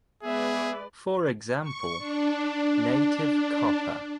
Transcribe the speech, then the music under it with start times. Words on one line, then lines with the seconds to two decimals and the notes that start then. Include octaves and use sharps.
For example, Native copper.
0.23 G#3 B3 G#4 B4 D5 E5
1.62 C#6
1.98 D4